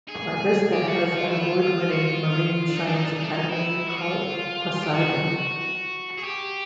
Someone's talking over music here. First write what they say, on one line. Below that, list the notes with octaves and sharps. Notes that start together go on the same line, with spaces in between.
Mar Vista has an award-winning Marine Science Academy called Poseidon.
G#4
G4
F#4
F#4
F4
E4
F4
F#4
F4
D4
D#4
D4
D#4
D4
D#4
D4
D#4
E4
F#4
F4
G4
F#4
G#4
G4